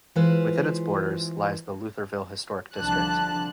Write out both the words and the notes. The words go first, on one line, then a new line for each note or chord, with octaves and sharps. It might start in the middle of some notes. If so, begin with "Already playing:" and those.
Within its borders lies the Lutherville Historic District.
E3 G#3 F4 B4 C5
C2 D3 F3 D4 A5 F#6